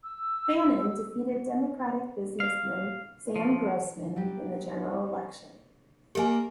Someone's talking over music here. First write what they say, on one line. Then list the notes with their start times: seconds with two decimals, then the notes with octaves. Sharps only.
Fannin defeated Democratic businessman Sam Grossman in the general election.
0.03 E6
2.40 F5
3.36 F3
4.16 F#3 G3 G4
6.15 A#3 G4 A#4 D#5 G#5